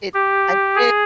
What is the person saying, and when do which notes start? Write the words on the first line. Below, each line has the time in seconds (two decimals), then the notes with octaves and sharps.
It I did
0.14 G4
0.75 G#4